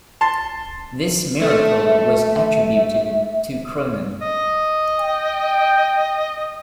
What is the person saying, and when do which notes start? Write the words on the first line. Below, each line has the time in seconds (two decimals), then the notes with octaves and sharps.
This miracle was attributed to Cronan.
0.21 A5 C6
1.41 A3 E5
4.21 D#5
5.00 G5